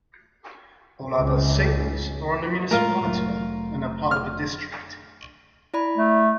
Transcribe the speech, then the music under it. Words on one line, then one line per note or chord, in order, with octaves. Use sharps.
All other cities are on the municipality level and are part of a district.
C#2 C#3
A2 G#3 A3 F4 A#4
F1 F#3 A3
F6
E4 D5 B5
A3